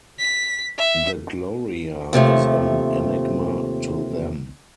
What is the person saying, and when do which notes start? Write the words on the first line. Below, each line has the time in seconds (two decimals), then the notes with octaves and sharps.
The "Gloria" is an enigma to them.
0.19 B6
0.78 E5
2.13 D#2 C3 F3 A3